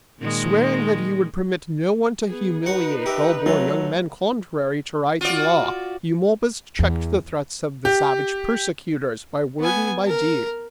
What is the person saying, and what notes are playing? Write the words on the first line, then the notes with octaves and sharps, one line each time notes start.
Swearing that he would permit no one to humiliate well-born young men contrary to right and law, Eumolpus checked the threats of the savage persecutors by word and by deed.
A#2 D#3 G#3
B3 G#4
D#4 F#4 B4 F#5
G4 A#4 E5
F#3 A3 F4
F4 F#4 D5
E2
G4
B3 G#5
A#4